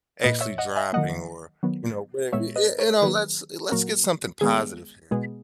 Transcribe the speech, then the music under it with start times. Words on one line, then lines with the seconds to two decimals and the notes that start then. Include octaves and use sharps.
actually dropping," or, you know, where you eh you know, let's let's get something positive here.
0.24 A#2 A#3 B4 D#5
0.41 C#5 E5
0.58 D#5 F#5
0.76 E5 G#5
0.93 D#3 F#3 A#3 D#5 F#5
1.63 D#3 F#3 B3
2.32 A#2 G#3 B3 C#5 E5
2.56 B4 D#5
2.79 A#4 C#5
3.02 D#3 F#3 A#3 G#4 B4
3.72 A#2 F#3 A#3 F#4 A#4
4.41 D#3 G#3 B3 G#4
5.11 B2 G#3 B3 G#4